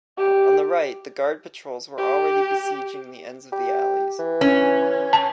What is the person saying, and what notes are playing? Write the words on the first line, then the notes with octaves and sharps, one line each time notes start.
On the right, the guard patrols were already besieging the ends of the alleys.
G4
G4
G4
E3
C#4
A5